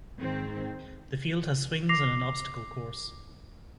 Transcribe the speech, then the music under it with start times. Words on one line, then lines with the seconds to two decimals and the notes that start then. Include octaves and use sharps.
The field has swings and an obstacle course.
0.19 G#2 D#3 C4
1.89 D6 A#6 C7 F7